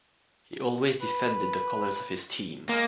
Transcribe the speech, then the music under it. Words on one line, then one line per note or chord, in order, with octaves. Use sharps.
He always defended the colors of this team.
B4
G#3 A#3